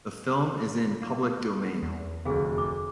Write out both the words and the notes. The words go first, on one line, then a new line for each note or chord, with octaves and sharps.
The film is in public domain.
A#3
E2
F1 D2 G#4 F5
D6